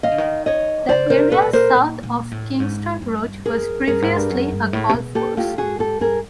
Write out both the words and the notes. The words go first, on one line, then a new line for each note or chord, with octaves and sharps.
The area south of Kingston Road was previously a golf course.
D#3 D#5 F5
D3
D#3
C#5 D#5
C#3 C5 D5
A#4 C5
C3
A4 B4
B2
A#2
A#4 C5
A#2
A#2
A2
G#2
G2
F#2 G#4 A#4
G2 G#4 A#4
G#2
G2
F#2
G2
A2
C3
B2
A#2 G4 A4
A2 F4 G4
G#2 F#4 G#4
G#2 G4 A4
G2 G#4 A#4